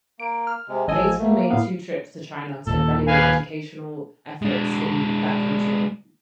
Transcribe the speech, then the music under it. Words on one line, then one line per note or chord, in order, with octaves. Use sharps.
Layton made two trips to China to evaluate educational efforts in that country.
A#3 D7
F6
C3 G#3
A1 F3 A4 D#5 G#5 D#7
B2 A3 A#3
A2 B3 F5
D#2 A#2 A4
B4 F5 G#5
G#3 D4